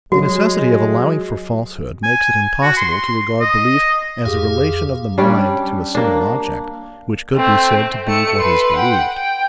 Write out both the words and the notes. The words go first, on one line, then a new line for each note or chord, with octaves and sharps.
The necessity of allowing for falsehood makes it impossible to regard belief as a relation of the mind to a single object, which could be said to be what is believed.
F#3 G#3 F#4
G#5
F#4
C6
D#5
F2 G4 G#4 F5
G3 C#4 D4 D5
A#3 D4
A3 C4
C4
A3 C#7
B4 C6
F#5 G5
G5